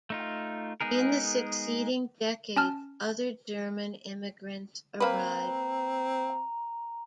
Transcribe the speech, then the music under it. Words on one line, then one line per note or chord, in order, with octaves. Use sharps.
In the succeeding decades, other German immigrants arrived.
A3 D#4 F4
G#3 B3 D#4 G#4 A#4
C#4 A5 F6
A#3 C4 B4 A#5